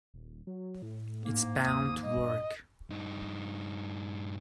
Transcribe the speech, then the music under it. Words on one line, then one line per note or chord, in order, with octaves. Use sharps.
It's bound to work.
D#1
F#3
A2
G#2 A#3
D#2 D#6
G2 D#5
G2 D#4